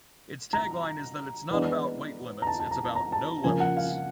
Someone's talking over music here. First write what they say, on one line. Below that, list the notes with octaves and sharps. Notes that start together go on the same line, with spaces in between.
Its tagline is that It's not about weight limits, it's about no limits!
A#5
E3 G#3 B3 D4
A#5
A5
A5
A#5
A5
A#5
A5
C#3 F3 A#3 G#5
F#5
F5